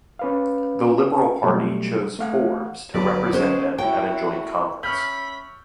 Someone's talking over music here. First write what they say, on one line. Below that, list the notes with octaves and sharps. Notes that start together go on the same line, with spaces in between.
The Liberal Party chose Forbes to represent them at a joint conference.
C#4 B4 F5
B2 F#3 G3 A3
A3 F5 F#5
G1 F#3 A#4 B4 D5
A2 F3 G#3 C#4 C5
A2 C#4 E4 F#4 C#5 G5
C#4 E5 B5 C#6 F6 G6